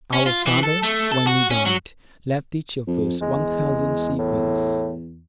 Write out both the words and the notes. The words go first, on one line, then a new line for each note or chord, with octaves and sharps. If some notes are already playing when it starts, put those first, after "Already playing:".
Our father, when he died, left each of us one thousand sequins.
C#4
F4
E3
A4
A3
A4
F#4
C#4
F#3
F2
E2 G#3
A2